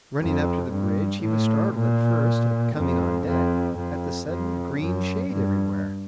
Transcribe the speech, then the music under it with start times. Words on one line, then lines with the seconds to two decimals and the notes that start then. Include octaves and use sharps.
Running up to the bridge he was startled at first, at coming on deck, at the sudden green shade everywhere.
0.20 F2
0.71 G2
1.22 A2
1.74 A#2
2.76 F2
3.27 F2
3.78 F2
4.29 F2
4.80 F#2
5.31 G2